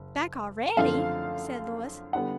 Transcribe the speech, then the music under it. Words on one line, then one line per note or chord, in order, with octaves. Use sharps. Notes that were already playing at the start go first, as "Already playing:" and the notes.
"Back already!" said Louis.
Already playing: F#1
F#2 D3 F3 A3 C4 F5
D3 G3 B3 F#5